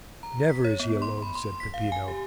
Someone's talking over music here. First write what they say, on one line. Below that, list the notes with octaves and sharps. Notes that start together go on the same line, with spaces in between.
"Never is he alone," said Peppino.
A#5
B6
C#5
B3
C6
B5
C6
B6
F5
G#5
G4